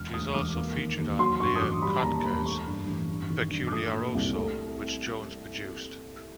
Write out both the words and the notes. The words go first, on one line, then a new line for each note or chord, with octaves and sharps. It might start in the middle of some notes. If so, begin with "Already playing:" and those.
She is also featured on Leo Kottke's "Peculiaroso," which Jones produced.
Already playing: E1 F6
D2 D#6
E1 D6
A#3
D#3
D#2
F#3 C6
G2 C#6
D#6
A1 D6
G3 B5
A5
D#2 A#5
E1 B5
A3 C#6
G2
A1
G2
D#3
G2
D6
A3 D#6
A#2
C2
A3